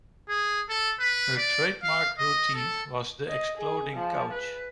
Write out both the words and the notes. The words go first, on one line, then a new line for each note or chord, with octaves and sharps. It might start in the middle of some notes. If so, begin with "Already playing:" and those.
Her trademark routine was "the exploding couch".
G#4
A4
B4
D5
F5
D#5
A4
D#5
G#4
F3
B4